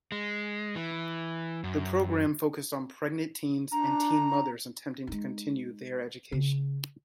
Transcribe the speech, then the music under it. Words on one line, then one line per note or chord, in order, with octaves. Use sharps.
The program focused on pregnant teens and teen mothers, attempting to continue their education.
G#3
E3
F#2
D4 A#5
G#3 D#4
C#3